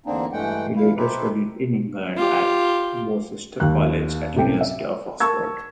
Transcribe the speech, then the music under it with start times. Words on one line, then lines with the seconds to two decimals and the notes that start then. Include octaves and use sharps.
He later studied in England at Worcester College at the University of Oxford.
0.06 E2 D3 A#3 C4 D4 D#4
0.33 G2 E3 G#3 A3 F#5 G5
0.76 E2 G2 A#2 E4 F5
0.97 D#4 G4 A4 B4 C5 E5
2.17 F4 G4
3.60 D#2 F#6
4.34 C#2 A2 C3 A4 G5
4.61 E5
5.20 A#4 A5 C#6 E6 G#6